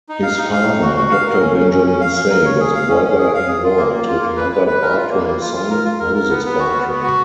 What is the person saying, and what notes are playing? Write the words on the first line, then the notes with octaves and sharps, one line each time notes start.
His father, Doctor Benjamin Say, was brother-in-law to another Bartram son, Moses Bartram.
D#4
F5
D#4
F5
D#4
F#4
F#4
F5
A#4
C#4
C#4
C#4
C#4
F5
F5
A#4
C#5
G#4
F5
C#4
C#4
G#4
F5
G#4
F4
A#3
A#3
F4
A#3
B4
B4
B4
A#4
F4
A#3
A#3
F4
F4
A#4
F4
A#4
A#4
B3
B3
F#4
B3
B3
F#4